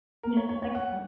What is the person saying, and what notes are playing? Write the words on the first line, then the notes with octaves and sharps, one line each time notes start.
Yeah, I get that.
A#4
C#5
C#5
C#5
F#5